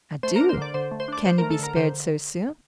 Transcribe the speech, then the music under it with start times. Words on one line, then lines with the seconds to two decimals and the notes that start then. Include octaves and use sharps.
"I do: can you be spared so soon?"
0.23 A3 C5 C6
0.36 A#4 A#5
0.41 D4
0.49 C5 C6
0.57 D3 D5 D6
0.74 D3 C5 C6
0.91 A3
1.00 C5 C6
1.08 D4 D5 D6
1.25 F3 C5 C6
1.38 A#4 A#5
1.42 A3
1.50 A4 A5
1.59 D3 A#4 A#5
1.76 D3 C5 C6